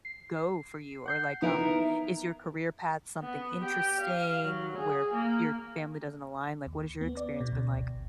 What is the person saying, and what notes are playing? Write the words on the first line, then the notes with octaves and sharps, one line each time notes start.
go for you? Or, like, um, is your career path something interesting where p your family doesn't align? Like, what has your experience been like?
C7
F#5 G6 C7
B3 D#4 E4 A#4
B3
G4
F5
F#3
G#4
A#3
D#2
B3
D5
B2
D2
G#1